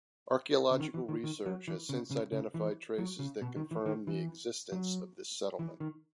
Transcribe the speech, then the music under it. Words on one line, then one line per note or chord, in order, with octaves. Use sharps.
Archaeological research has since identified traces that confirm the existence of this settlement.
C#3
D#3
E3
D#3
D#3
F#3
E3
C#3
C#3
C#3
E3
F#3
C#3
B2
D#3
E3
D#3
E3
F#3
E3
D#3